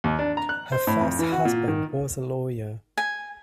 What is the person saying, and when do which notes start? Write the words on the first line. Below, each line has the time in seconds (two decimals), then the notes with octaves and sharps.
Her first husband was a lawyer.
0.04 D#2
0.19 D4
0.37 A#5
0.49 F#6
0.72 C5
0.87 A2
1.01 F2
1.19 E3
1.32 F#4
1.45 A#2
1.68 D#3
2.97 G#5